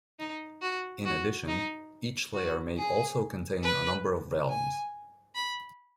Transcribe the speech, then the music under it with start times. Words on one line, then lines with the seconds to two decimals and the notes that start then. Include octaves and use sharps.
In addition, each layer may also contain a number of "realms".
0.19 D#4
0.62 F#4
1.06 F#4
1.48 D#4
2.34 F#4
2.78 G#4
3.63 B4
4.50 G#5
5.35 B5